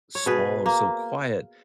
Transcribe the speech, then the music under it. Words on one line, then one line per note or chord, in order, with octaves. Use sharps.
small and so quiet,
C#5
B2 G#4 B4
A#3